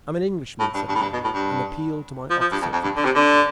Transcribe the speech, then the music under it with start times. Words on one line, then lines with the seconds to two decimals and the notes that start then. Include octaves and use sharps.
"I am an Englishman," said the man, "and appeal to my officer for protection."
0.60 A2
0.74 G2
0.88 G2
0.95 A2
1.02 G2
1.13 B2
1.24 A2
1.34 G2
2.30 F3
2.41 F3
2.52 G2
2.62 F2
2.73 F2
2.83 G2
2.96 D3
3.05 C3
3.15 D3